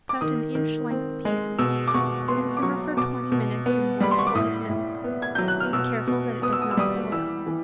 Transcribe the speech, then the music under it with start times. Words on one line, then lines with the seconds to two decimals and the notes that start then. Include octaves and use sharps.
Cut in inch length pieces and simmer for twenty minutes in one quart of milk, being careful that it does not boil.
0.09 D6
0.21 D#3 D#6
0.55 D#3
0.91 C4
1.25 G#3
1.59 B2 E6
1.88 D6
1.94 B2 C#6
2.28 B3 C6
2.57 D6
2.62 F#3 C#6
2.97 B2 D6
3.32 B2
3.66 B3
4.01 G3 B5
4.11 C6
4.19 C#6
4.27 D6
4.35 A2 D#6
4.69 A2
5.04 B3
5.22 G#6
5.35 F#3 G6
5.48 F#6
5.60 F6
5.73 B2 E6
6.07 B2
6.42 B3 D#6
6.53 E6
6.62 D#6
6.71 E6
6.77 G3 D#6
7.12 E3 E6
7.46 E3